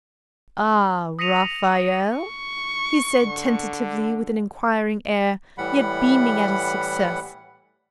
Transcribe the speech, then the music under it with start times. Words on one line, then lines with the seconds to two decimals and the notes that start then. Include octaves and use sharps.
'Ah, Raphael?' he said, tentatively, with an inquiring air, yet beaming at his success.
1.19 D#6 A#6 B6 C#7 D#7 F7
2.17 C#6
3.24 D3
5.58 A2 E3 G3 F#5 B5